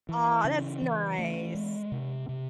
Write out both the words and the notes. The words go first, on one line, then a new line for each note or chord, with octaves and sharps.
Aw, that's nice.
E3
C#3
E3
A3
G#3
C3
C3